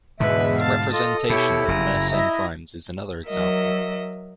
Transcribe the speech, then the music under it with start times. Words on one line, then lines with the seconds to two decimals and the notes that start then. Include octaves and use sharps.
The representation of Mersenne primes is another example.
0.20 E2 G#2 B2 D3 G#3 B4 E5 B5
0.58 F5 A5
0.93 F4 A4 D#5
1.30 B2 E4 G4 C#5
1.68 F#1 C#3 A#5
2.10 E4 D#5 E5
3.27 F#3 A#4 D#5 E5